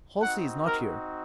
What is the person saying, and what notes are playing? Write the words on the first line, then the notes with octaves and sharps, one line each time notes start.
Halsey is not here.
C4 D#4 F#4 F#5
A#4